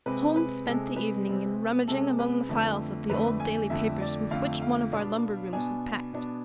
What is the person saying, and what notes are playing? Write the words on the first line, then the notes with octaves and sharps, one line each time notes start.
Holmes spent the evening in rummaging among the files of the old daily papers with which one of our lumber-rooms was packed.
C3 G#3 C4 B4
B4
C3 G#3 C4 A4
B4
C3 G#3 C4
C3 G#3 C4 A4
B4
F2 D3 A3
F2 D3 A3 B4
G#5
F2 D3 A3 E5
D5
F2 D3 A3 F5
F5
B2 B3 D4
B2 B3 D4 G#5
B2 B3 D4